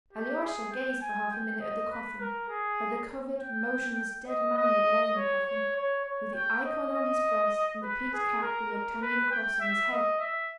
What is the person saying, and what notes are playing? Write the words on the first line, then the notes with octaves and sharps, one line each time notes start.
Alyosha gazed for half a minute at the coffin, at the covered, motionless dead man that lay in the coffin, with the ikon on his breast and the peaked cap with the octangular cross, on his head.
G4
G#4
G5
G#5
G5
D#5
B4
A#4
G#4
G5
D#5
D#5
C#5
C#5
C#5
C#5
G5
D#5
D#5
B4
G#4
A#4
A#4
B4
G5
E5
D#5
E5